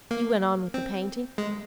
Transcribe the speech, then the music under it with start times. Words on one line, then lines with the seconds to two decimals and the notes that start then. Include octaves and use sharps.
You went on with the painting?'
0.11 A#3
0.74 C4
1.38 G#3